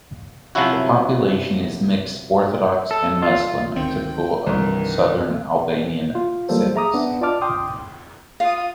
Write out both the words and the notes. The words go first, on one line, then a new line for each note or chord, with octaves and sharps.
The population is mixed Orthodox and Muslim, typical of southern Albanian cities.
C3 F3 F#3 C#4 E4 F#4
A4
F4
D2 D#3 C4 G5
C2 G2 D#3 E3 G3
F4
E3 F#3 G3 A#3 A4 C5
G#4 E5 A#5 D6 D#6
B3 D4
F4 D5 D#5 A5 D6 F6
G5 C6 D6 D#6
F4 F5 D#6